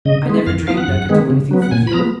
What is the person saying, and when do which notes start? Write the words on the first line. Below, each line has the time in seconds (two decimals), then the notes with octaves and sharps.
I never dreamed I could do anything for YOU!
0.05 C#3 D#5
0.26 G#3 B3
0.47 F2 F5
0.67 F3 B3 F5
0.77 F#5
0.88 F#2
1.09 D#3 G#3 B3
1.30 C#3
1.51 F#3 B3
1.62 F#5
1.71 A#2 G#5
1.87 B5
1.92 F3 B3 A#5